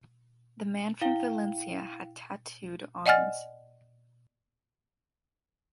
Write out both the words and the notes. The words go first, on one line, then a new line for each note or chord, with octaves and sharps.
The man from Valencia had tattooed arms.
E4 F5 G5 G7
D5 D#5 F#5 G#5 F6 A6